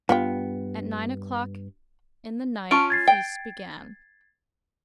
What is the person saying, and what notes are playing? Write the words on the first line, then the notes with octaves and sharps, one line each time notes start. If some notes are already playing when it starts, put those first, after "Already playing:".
At nine o'clock in the night the feast began.
G2 B3 F4 G5
C#4 F4 A5 C#6 D7
G#6 A6 C7
G5